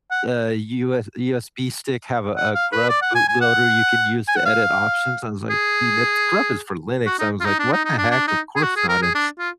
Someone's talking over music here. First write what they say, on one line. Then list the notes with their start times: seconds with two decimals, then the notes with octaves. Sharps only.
uh, US USB stick have a a GRUB bootloader you can use to edit options?" I was like, "You know, GRUB is for Linux," I was like, "What the heck? Of course not," and
0.11 F#5
2.36 F#5
2.54 F5
2.72 B4
2.89 D5
3.02 F#5
3.15 G#5
3.28 G#5
3.41 F#5
4.28 G#5
4.36 F#5
4.45 F5
5.50 G#4
7.06 F#4
7.19 D#4
7.40 F4
7.45 D#4
7.59 D4
7.72 D#4
7.85 D#4
7.98 D4
8.10 D4
8.27 D#4
8.56 G#4
8.63 F#4
8.76 G#4
8.88 A#4
9.02 G#4
9.15 D4
9.38 F4